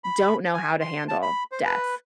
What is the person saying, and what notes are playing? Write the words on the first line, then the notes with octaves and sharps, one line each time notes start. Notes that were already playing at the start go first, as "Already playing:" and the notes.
don't know how to handle death
B5
G#5
C6
A5
B5
C5
B4